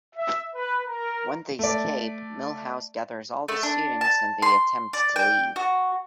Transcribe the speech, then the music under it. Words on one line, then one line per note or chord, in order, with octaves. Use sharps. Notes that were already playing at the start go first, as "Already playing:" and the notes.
When they escape, Milhouse gathers all the students and they attempt to leave.
E5
B4
A#4
A3 D5
A3
D4
A5
C6
D5
G5
F#4